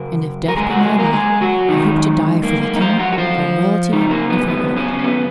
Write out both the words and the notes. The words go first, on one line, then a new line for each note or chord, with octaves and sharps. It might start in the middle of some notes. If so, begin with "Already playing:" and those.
And if death be my lot, I hope to die for the king, for royalty and for God.
Already playing: F#2 C#3 A#4
A#4
G#3 G#4
F#3 F#4
G#3 G#4
A#3 A#4
G#3 G#4
F#3 F#4
F#2 D#3 G#3 D#4
A#3
A#3
D#4
F3 F4
F#3 F#4
F#4
F3 F4
F#2 C#3 D#4
A#3
B3
B3
C#3 C#4
C#4
B3